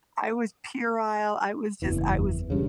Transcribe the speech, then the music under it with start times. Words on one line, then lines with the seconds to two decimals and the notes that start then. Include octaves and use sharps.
I was puerile. I was just I was
1.82 F#1 E2 E3
2.50 E1 G2 C#3